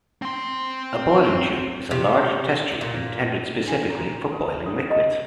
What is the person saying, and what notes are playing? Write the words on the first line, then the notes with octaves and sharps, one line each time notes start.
A boiling tube is a large test tube intended specifically for boiling liquids.
C4 C6
C3
A#2
D4
A#5
A4
D#6
D#5